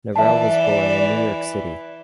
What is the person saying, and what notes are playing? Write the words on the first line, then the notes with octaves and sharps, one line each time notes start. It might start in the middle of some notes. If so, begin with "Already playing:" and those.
Narell was born in New York City.
E3 D5 E5 A5